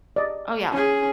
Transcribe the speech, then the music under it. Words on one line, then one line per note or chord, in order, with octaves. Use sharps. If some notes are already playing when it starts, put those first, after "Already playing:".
Oh yeah,
D5 D#5
C#4 G#4